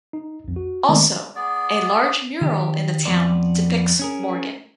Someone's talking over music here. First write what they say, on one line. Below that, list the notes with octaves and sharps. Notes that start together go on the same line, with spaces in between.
Also, a large mural in the town depicts Morgan.
D#4
B1 F2
F#4
D#3 G#3 A3 B3 C4 D5
B3 G#4 D5
D#3 G4
F2 F3 B3 D5
C#4 G#4 A#4